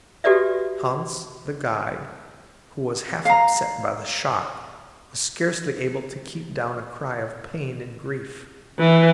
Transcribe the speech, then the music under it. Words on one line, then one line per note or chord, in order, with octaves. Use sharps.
Hans, the guide, who was half upset by the shock, was scarcely able to keep down a cry of pain and grief.
F#4 G4 A4 B4 D5 E5
F5 A#5
E3